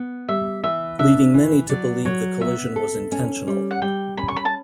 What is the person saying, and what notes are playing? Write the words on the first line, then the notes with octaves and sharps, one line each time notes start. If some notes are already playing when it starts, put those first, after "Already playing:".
Leading many to believe the collision was intentional.
Already playing: B3
G3 E5
E3 E5
D4 E5
E3
F#3 D5
F#3 C#5
B3 E5
A4
C#4
G3
F#5
G3 G5
C#4 B5
C#6
B5
A5